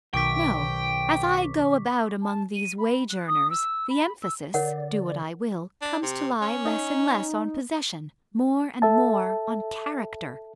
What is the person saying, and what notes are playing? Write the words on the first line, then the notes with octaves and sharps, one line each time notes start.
No!--as I go about among these wage-earners, the emphasis--do what I will--comes to lie less and less on possession--more and more on character.
B1 B2 D#3 G5 C#6 D6 B6
A5
D#7
B5
F#6
D#6
E6
B5
E6
D3 A#4 C#5 D5 F#5
D4
C3
C#4
D#4
A4 E5 A5